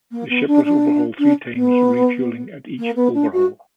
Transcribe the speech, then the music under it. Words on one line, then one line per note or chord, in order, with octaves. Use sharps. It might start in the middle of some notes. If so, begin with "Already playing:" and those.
The ship was overhauled three times, refueling at each overhaul.
A#3
B3
D4
D4
D4
B3
A#3
B3
D4
F#4